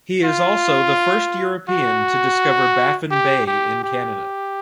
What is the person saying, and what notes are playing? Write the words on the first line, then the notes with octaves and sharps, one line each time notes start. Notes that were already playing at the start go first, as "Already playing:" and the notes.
He is also the first European to discover Baffin Bay in Canada.
F4
F#4
G4
G4
G4